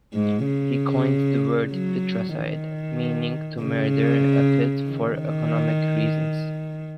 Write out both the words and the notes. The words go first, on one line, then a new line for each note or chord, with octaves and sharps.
He coined the word "Pitracide", meaning "to murder a pit for economic reasons".
G#2
C#3
F#3
D#3
C#3
D#3